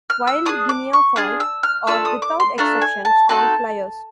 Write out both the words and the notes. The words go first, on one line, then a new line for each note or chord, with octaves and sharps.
Wild guineafowl are, without exception, strong fliers.
F6
E6
D4 F4 G#4 D#6
D6
C#6
D4 F4 G#4 D#6
E6
F6
A3 D4 F4 A4 E6
D#6
D6
C6
A3 D4 F4 A4 A#5
G#5
A5
C4 D#4 F#4 A4 A5